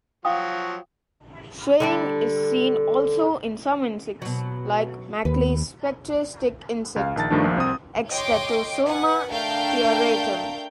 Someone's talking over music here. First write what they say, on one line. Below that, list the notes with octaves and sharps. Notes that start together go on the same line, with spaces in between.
Swaying is seen also in some insects, like Macleay's Spectre stick insect, "Extatosoma tiaratum".
F3 F#3 F#4 F5 G5 D#6
D3 G3 D4
B2 F#3
D#2 B4
C#2 F5
A#1 D#3 A5 A6
G2 D#3 F3 A3 D4
A#1 A#2 F3
C2 C4 D#6
C#5 D#5 G5 C6 D6
B4 F#5 G#5
A3 D4 A#4 F5 G5 G6